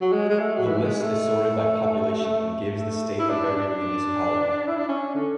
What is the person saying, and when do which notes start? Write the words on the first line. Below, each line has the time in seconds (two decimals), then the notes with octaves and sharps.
The list is sorted by population and gives the state of every municipality.
0.01 F#3
0.13 G#3
0.29 G#3
0.39 A3
0.56 F#3
0.66 E3
0.78 A3
0.83 G#3
1.01 A3
2.24 A3
2.77 A3
3.19 E4
3.29 D4
3.56 D4
4.67 E4
4.77 D4
4.88 C#4
5.15 D3